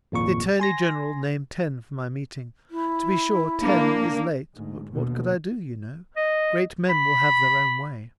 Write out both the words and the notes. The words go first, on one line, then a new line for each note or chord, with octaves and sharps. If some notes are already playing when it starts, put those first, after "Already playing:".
"The attorney-general named ten for my meeting; to be sure ten is late, but what could I do, you know? Great men will have their own way."
G#1 F2 A#2 C#6
G#5 C6 A#6
E4
A#3 D4
D2 G#2
D#2 B2 D3
D#5
B5